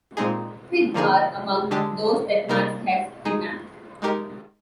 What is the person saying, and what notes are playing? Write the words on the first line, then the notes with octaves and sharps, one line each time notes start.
Pig are among those that Max has kidnapped.
A#2 G#3 C4 D#4 G#4
D3 F3 A#3 D#4 G#4
D3 G#3 D4 G4
C3 G3 A#3 D#4 A#4
G#3 D#4 G#4
G#3 D#4 G4 A#4